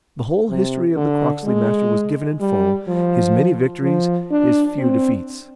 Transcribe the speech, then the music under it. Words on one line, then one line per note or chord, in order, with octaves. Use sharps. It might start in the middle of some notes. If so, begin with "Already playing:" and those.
The whole history of the Croxley Master was given in full, his many victories, his few defeats.
C3
D3
G#3
G3
F3
F3
D4
C4